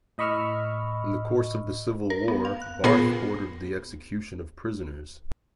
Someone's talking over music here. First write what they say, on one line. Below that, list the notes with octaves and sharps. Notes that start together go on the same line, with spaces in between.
In the course of the civil war Barthe ordered the execution of prisoners.
A2 D#5 B5 C#6 E6 F6
A#4
B3
F5
F#6
A#2 B3 F4 G#4 A#6 C7